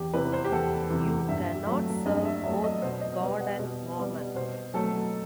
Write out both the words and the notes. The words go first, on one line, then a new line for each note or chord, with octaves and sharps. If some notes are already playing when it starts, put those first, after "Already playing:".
You cannot serve both God and mammon.
Already playing: E2 G4
C3 E3 B4
C5
G4
E2 A4
C3 E3
G2 E5
F#3 A3
G2 D#5
E5
F#3 A3 E5
D#5
B2 C5
D#5
G3 B3
F#5
B2 D#5
G3 B3
B2 C5
F#3 A3 A4